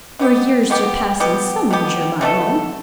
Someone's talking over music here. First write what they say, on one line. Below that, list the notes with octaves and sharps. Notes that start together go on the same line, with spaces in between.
Your years surpass in some measure my own.
B2 B3 G4
B2 B3 G4
B2 B3 G4
B2 B3 G4
B2 A3 D4 A4